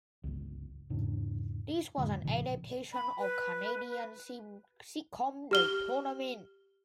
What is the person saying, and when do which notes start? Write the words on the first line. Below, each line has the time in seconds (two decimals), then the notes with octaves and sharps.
This was an adaptation of the Canadian sitcom "The Tournament".
0.24 G1 C#2
0.90 E2 G#2 C#3 D4
1.98 F2 A2 D3 G#3
2.24 G#1 A#2 C#3 F3
2.93 B5
3.19 B4
5.51 G4 F6 G7